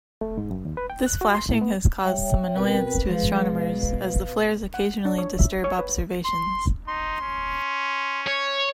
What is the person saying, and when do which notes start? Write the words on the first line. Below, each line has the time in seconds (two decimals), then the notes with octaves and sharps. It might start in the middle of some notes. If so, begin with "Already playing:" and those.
This flashing has caused some annoyance to astronomers, as the flares occasionally disturb observations.
0.21 A3
0.37 G#2
0.51 F#2
0.65 D#2
0.77 B4
0.90 G5
1.06 F#6
1.21 F#4
1.35 C6
1.49 A2
1.61 B3
2.04 G3 C#5 E5 G5
2.55 B2 C4 A#4 B4 G5
3.05 F3 G#3 B4 F5
3.48 B2
4.74 F#5
5.05 D4
5.18 C#5
5.39 E5
5.64 C#5
5.79 B4
6.25 C6
6.88 D#4 C6
7.21 C#4
8.28 C#5